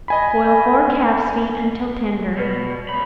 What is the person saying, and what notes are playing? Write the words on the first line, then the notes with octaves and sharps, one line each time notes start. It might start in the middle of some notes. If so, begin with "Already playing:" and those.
Boil four calves' feet until tender.
D#5 G#5 B5
B2 B4 D5
D5
C#2 C#5 B5